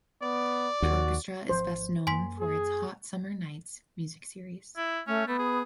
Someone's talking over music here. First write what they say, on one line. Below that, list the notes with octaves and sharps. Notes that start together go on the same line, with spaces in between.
The orchestra is best known for its "Hot Summer Nights" music series.
B3 D5
D#2 F#4
G#1 F3 C5
F#2 A#3 G#5 C6 B6
G#4
E4
A3 C#4
A3 B3
G#4